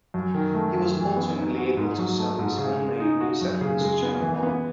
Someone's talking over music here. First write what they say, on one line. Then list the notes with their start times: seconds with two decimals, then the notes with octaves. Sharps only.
He was ultimately able to sell his home-made news segments to Channel One.
0.14 F#2
0.34 D#3
0.55 A3
0.75 F#2
0.97 E3
1.16 B3
1.36 D#4
1.57 F#4
1.77 G#2
1.98 F#3
2.18 A3
2.39 G#2
2.59 C#3
2.79 G#3
3.00 D#4
3.20 F#4
3.41 F#2
3.61 C#3
3.81 G#3
4.02 B3
4.22 E3
4.43 B3